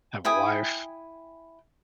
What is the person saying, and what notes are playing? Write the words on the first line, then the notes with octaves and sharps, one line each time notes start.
I have a wife,
E4 G5 G#5 D#6